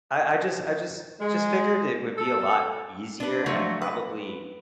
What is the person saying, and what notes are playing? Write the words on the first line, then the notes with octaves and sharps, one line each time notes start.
I I just I just just figured it would be a lot easier and, probably,
G#3
A4
D4 B4
F3 F#3 A3
B4